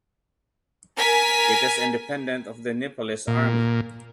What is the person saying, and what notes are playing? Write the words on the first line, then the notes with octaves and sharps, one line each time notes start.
It is independent of the Nepalese Army.
A#4 G#5 B6
A#2